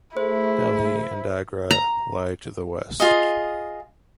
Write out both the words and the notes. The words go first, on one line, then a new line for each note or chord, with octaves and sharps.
Delhi and Agra lie to the west.
A3 E4 G#4 C5
A#5
F4 G#4 D#5